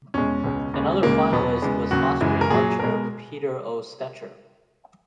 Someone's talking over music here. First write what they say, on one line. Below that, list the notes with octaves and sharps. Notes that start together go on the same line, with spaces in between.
Another finalist was Austrian archer, Peter O. Stecher.
E2 B2 G#3 C#4
C#2 B2 G#3
D#2 C#3 G#3
C#2 C#3 G#3 A#3
E2 B2 F#3 B3
E2 C#3 G#3
D#2 C#3 F#3 F#4
F#2 C#3 E3 G#3
A#4
A#2 F#3 G#4
B2 G#3 A#4